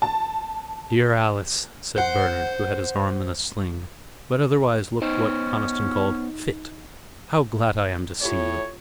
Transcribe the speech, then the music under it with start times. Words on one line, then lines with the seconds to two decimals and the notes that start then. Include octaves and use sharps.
"Dear Alice," said Bernard, who had his arm in a sling, but otherwise looked what Conniston called "fit!", "how glad I am to see you!"
0.02 A5
1.98 C5 F#5
5.02 B3 C#4 D#4 C5
8.21 A2 F4 G4 C5 C#5